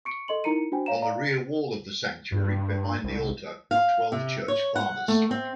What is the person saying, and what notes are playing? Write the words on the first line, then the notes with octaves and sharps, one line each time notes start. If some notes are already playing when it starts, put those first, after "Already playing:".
On the rear wall of the sanctuary, behind the altar, are Twelve Church Fathers.
C#6 C#7 D7
A4 D#5 C6 F#7
D#4 E4 A#4 A#5 C#7 D#7
D4 F#4 C5 G5 G#5
C#5 F5 A#5 E7
D5 F5 A#5
G2
C2
F5
C3
C#5
F#5
A3
C4